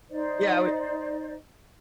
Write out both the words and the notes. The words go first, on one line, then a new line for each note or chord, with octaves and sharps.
Yeah, we
D#4 C5 D5 D#5